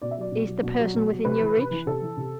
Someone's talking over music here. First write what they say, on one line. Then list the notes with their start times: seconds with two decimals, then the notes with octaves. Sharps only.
"Is the person within your reach?"
0.02 B2 D5
0.11 E5
0.18 F#3 D5
0.32 B2
0.48 F#3
0.63 B2
0.79 F#3
0.94 B2
1.10 F#3
1.25 C3 B4
1.41 E3
1.56 C3
1.71 E3
1.86 C3 A4
2.02 E3
2.17 C3